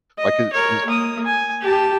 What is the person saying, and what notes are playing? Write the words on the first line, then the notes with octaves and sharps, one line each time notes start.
like, his his
D#5
A#4 C#5
A#3 D#6
G#5
G4 A5